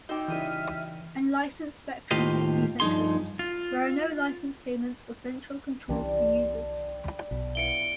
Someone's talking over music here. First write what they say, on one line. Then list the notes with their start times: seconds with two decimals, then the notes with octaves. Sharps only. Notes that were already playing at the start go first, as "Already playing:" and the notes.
Unlicensed spectrum is decentralized: there are no license payments or central control for users.
0.09 D#4 F#4 D#5 G5 D6 E6 G6
0.28 C#3 E3 G3 D#4 E5 F6 D#7
2.11 D#2 A2 F4 G4 C5 D#5
2.80 G2 F3 D#4 G#4 C6
3.39 F4
5.89 C2 E3 G3 C#4 D4 C5
7.31 B1 B2 B5
7.55 B3 E4 F5 C#7 D7 G7